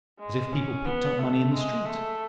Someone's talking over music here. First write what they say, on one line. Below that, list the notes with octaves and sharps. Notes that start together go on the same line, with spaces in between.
As if people picked up money in the street!
G#3
C#4
B3
A3
G#3
A3